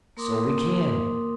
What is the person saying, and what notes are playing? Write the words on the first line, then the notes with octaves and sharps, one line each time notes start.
So we can.
A#3 A#4 C6 D6 D#6